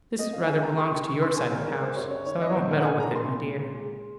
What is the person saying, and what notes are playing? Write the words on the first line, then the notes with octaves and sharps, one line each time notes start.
"This rather belongs to your side of the house, so I won't meddle with it, my dear."
C4 D#5
F5
G#3 G#5
A#5
D#2 C6
C#6
D#3 C#6
C6
C4 G#5
A#4
G#3 A#4
C5
F#2 C#5
C#5
D#3 C#5
D#5
C#5
A#2 C5
A#4
F#5
C4 G#5
A#5
A#2 C6
G#3
G#3